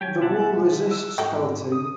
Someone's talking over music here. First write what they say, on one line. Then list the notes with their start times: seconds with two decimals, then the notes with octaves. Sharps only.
The wool resists felting.
0.01 F#3 G4 G5 G#5
0.21 B2 E5 F#5 A5
0.91 E6
1.18 G#2 F#4 A4 G5
1.72 D#6